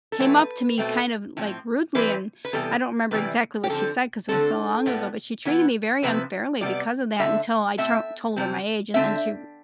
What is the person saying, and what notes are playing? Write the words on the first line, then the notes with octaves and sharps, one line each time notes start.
came up to me, kind of, like, rudely, and I don't remember exactly what she said 'cause it was so long ago, but she treated me very unfairly because of that until I t told her my age, and then she,
A4
E3 A3 C4 B4
B2 A3 C4
A2 F3 C4
E3 G3 C4 B4
B4
C3 E3 G3 B3 A4
C3 E3 G3 B4
G4
D3 F3 C4 A4
D3 A3 C4 A4
A2 G3 B3
E3 B3
C3 F3 C4 B4
C3 G3 B3 D5
D3 A3 C4 E5
B2 A3 C4 E5
C3 F3 C4
D3 A3 C4 E5